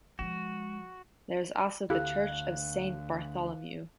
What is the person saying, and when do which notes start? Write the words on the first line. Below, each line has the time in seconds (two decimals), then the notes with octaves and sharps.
There is also the church of Saint Bartholomew.
0.19 F3 G#3 F#4
1.90 D2 E4 G4 A4 F5 F#6